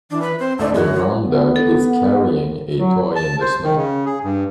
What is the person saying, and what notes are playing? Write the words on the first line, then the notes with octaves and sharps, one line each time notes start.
A brown dog is carrying a toy in the snow.
E3 D4
B4
C4 C5
D2 A3 C#4 D#4 D5
F#2 F#4 C#5
B3
A4
F#3
A5
C5
D#3
C#3
G#4
G2